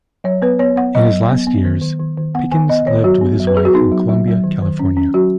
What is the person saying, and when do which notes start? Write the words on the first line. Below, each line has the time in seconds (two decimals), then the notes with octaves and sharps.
In his last years, Pickens lived with his wife in Columbia, California.
0.24 F#3 C#5
0.42 B3 B4
0.59 B3 C#5
0.76 B3 F#5
0.95 F#3 D#5
1.11 F#3
1.29 B3
1.47 B3
1.65 D#3
1.82 D#3
2.00 D#3
2.17 D#3
2.35 B3 F#5
2.51 D#3 G#5
2.69 B3 D#5
2.86 D#3 C#5
3.04 F#3 F#4
3.21 B3
3.40 F#3
3.47 B4
3.56 F#3 G#4
3.65 F#4
3.74 B3 D#4
3.92 F#3
4.09 F#3
4.27 F#3
4.44 D#3
4.62 D#3
4.79 C#4
4.97 C#4
5.14 F#3 F#4